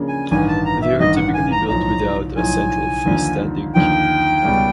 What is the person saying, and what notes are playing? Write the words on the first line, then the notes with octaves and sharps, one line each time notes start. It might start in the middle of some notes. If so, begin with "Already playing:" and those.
They are typically built without a central free-standing keep.
Already playing: C#3 F3 A#3 D4
G#5
A1 G2 D#3 G#5
A5
A#5
E5
A1 G2 D#3 D#5
F#5
G#5
A#5
B1 A2 F3 A#5
B1 A2 F3 G#5
D#2 D3 F3
D#2 D3 F3 G5
C#2 B2 G3